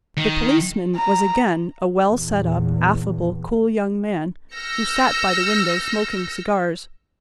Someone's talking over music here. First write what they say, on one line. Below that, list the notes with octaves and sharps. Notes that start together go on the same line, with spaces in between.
The policeman was again a well set up, affable, cool young man who sat by the window smoking cigars.
D#3
A#5
E2 A#2
E6 F6 G6 A#6 C#7